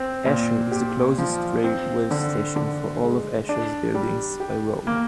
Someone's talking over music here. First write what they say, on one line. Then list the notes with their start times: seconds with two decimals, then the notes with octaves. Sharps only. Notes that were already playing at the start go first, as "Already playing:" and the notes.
Esher is the closest railway station for all of Esher's buildings by road.
Already playing: C4
0.26 A#2
0.72 G4
1.18 F3
1.64 C4
2.11 D3
2.56 D3
3.03 G#3
3.49 D4
3.95 G3
4.40 G4
4.87 A#3